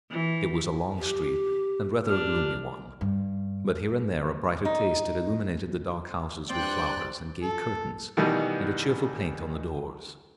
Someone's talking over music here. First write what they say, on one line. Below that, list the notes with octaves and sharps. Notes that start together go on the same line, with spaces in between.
It was a long street, and rather a gloomy one, but here and there a brighter taste had illuminated the dark houses with flowers, and gay curtains, and a cheerful paint on the doors.
E3
G4
D4 G4 F6
G2
D#4
G2 C4 D5 G5 F#6
A4
B2 D#3 E3 G3 B3